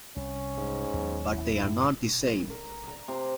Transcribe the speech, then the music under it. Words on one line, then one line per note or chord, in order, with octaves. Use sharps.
But they are not the same.
C2 C#4
G#2
D#2 F#3 B3
E4
F#2 A2
A#4
A#5
C3